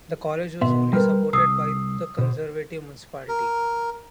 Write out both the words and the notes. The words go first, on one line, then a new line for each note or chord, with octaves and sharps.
The college was only supported by the conservative municipality.
B2 B3 E5 C6
G3 A#4 B4 F6
C2 D#6 E6 C7
B2 C5
A#4